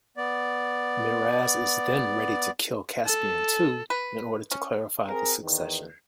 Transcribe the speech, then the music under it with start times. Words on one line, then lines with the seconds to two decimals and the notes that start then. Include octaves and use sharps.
Miraz is then ready to kill Caspian too, in order to clarify the succession.
0.17 B3 D5
3.06 A4
3.90 B4
4.52 C#4
5.07 C4 G#4 A#4
5.41 E2 D#3